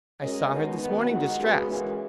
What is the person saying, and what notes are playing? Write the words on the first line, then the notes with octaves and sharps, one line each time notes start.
I saw her this morning distressed.
G#3 C#4 F#4 A#4 D#5
B2 G#3 D#4
F#2 D#3 F#3 B3
D#3 G#3 D#4 F#4
C#3 G#3 B3 F#4
E3 G#3 C#4 F#4 A#4